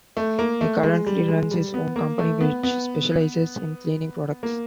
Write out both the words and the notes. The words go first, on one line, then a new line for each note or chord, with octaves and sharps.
He currently runs his own company which specializes in cleaning products.
A3
A#3
A3
G#3
G3
G#3
G3
B3
A#3
A3
B3
B3
A#3